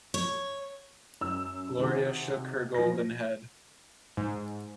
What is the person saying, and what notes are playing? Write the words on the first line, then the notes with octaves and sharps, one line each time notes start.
Gloria shook her golden head.
C#5
F#2 E6
C3 D#3 C4 F#4 G#4
F3 A#6
G#2